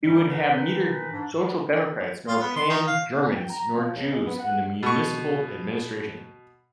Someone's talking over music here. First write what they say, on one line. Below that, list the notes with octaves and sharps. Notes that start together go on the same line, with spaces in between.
He would have neither Social Democrats nor Pan-Germans nor Jews in the municipal administration.
G#2 D#3 G3
D#3 E3 D#4 B4
G#2 D4
F4
B3
C6
D#3
F5
G5
A#5
F3
C#2
G#3
B3
F#5
B2 C#6